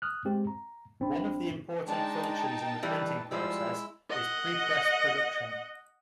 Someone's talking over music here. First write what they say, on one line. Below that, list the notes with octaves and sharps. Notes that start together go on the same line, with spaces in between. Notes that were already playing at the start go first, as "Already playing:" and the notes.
One of the important functions in the printing process is prepress production.
D#6 F6 F#6
G#3 C4 G4
A#5
G#1 C4 D4 B5
G#3 D4 D#4 G5 A5
E3 G3 B4
F3 G3 G#3 E4 E6
D#5 F#5